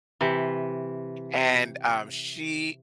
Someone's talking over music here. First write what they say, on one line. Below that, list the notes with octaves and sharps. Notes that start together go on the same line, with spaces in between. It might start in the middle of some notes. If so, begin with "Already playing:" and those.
and, um, she
C3 E3